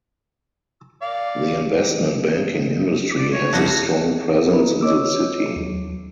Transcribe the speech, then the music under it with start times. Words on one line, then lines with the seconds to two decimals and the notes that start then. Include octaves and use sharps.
The investment banking industry has a strong presence in the city.
1.02 D5 F5
3.18 D5
3.32 C#5
3.53 C2 F2 F#4
4.49 D4 E4 A#4 B4
4.81 C#5 D#5 D6 E6
5.56 D#2 F#3